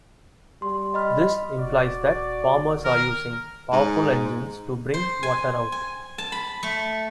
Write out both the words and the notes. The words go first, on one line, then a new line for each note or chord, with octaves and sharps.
This implies that farmers are using powerful engines to bring water out.
G3 C6
D#5 B5 F6
D#1 F#4 D5
F#1
D#3 A#4
G#2
C5
G#5
G#5
A5
B5
A3